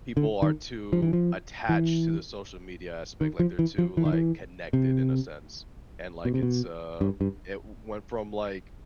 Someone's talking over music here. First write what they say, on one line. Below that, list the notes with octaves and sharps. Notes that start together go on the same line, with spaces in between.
"people are too attached to the social media" aspect, like, they're too, like, connected in a sense, and, like, it's, uh it went from, like,
D3
D#3
F3
E3
F3
E3
D#3
F3
E3
F3
E3
D#3
E3
C3
B2
C3
B2
G2
G2